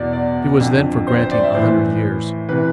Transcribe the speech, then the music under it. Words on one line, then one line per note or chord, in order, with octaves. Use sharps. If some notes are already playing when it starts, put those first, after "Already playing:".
He was then for granting a hundred years.
Already playing: E2 B2 D5
D5
F2 D3
C5
C5
D5
E5
A2 E3 C5
C3 E3 B4